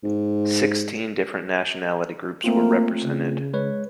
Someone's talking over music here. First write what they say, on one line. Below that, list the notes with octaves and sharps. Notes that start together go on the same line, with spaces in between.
Sixteen different nationality groups were represented.
G#2
A3 A#3 C4 F4
C#3
G#3 B4 C#5